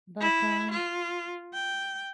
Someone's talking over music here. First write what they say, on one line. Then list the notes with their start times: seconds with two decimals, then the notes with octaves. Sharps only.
but, um,
0.20 E4
0.71 F4
1.54 G5